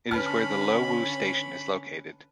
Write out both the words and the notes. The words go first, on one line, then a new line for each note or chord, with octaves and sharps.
It is where the Lo Wu Station is located.
D3 C#4 B4 A5 B5 F6